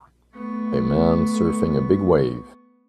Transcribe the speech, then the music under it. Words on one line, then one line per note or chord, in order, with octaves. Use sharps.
A man surfing a big wave.
A3 B3 C#6